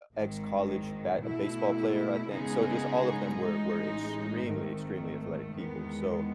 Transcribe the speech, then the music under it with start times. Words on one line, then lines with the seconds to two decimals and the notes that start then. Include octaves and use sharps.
ex college ba baseball player, I think. So, just all of them were were extremely, extremely athletic people. So
0.14 G#1 G#2 D#3
1.22 B2 A3 E4
2.31 C#3 G#3 B3 D#4 G#4
3.40 A1 A2 G#3 D#4
4.48 G#1 G#2 D#3 A3
5.57 E2 D#3 G#3 B3